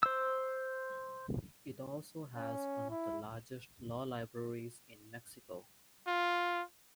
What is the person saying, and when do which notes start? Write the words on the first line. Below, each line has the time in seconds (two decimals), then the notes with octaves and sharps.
It also has one of the largest law libraries in Mexico.
0.03 C5 E6
2.37 C#4
2.90 E4
6.07 F4